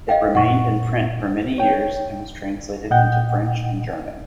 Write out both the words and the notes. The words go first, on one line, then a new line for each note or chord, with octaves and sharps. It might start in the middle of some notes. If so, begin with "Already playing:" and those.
It remained in print for many years and was translated into French and German.
D#5 F5 G5
F#2 A#2 F#5 C#6
C#5 G5
A#2 D#5 F#5 G5 G6